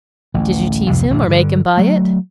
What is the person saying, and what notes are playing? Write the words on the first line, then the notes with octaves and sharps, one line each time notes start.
"Did you tease him, or make him buy it?"
A1 D2
C2 F2 G#2 C3
A1 D2 C3
G2 D3
F#3 A3